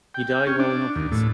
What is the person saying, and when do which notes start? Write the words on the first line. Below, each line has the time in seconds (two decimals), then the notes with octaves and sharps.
He died while in office.
0.14 G5
0.47 C#4
0.60 D4
0.96 D#2
1.12 A2